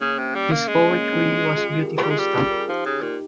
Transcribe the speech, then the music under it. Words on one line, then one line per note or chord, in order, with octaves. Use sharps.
His poetry was beautiful stuff.
C#3 A#3 C#4
C3
G3
A#3
G#3
A#3 C#4
C4 D#4
C#4 F4
F4 G#4
G4 A#4
G3 F4 G#4
G#3
G3
A#4
G#4
F3 D#4 G4
C#3
A#2 D#4 G4